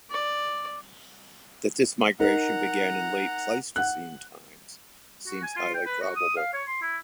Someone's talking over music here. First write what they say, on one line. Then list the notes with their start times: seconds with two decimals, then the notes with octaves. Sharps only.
That this migration began in late Pleistocene times seems highly probable.
0.11 D5
2.20 D#4 A#4 F#5 A#5
3.76 F#5 F#6
5.27 F#4
5.43 G#5
5.56 F4
5.74 G5
5.86 B4
6.01 F#4
6.16 D#6
6.37 F5
6.53 C#5
6.67 C6
6.82 E4